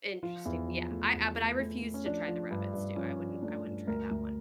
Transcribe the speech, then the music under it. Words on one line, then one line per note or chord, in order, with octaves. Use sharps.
Interesting, yeah, I I but I refuse to try the rabbit stew, I wouldn't I wouldn't try that one.
F3 F4
E2
F3
A3
E2
A3
A3
A3
C#4
F3 D4
F3
G2
G2
F3 C#4
F3
A3 D4
G2
D2 A#4
D2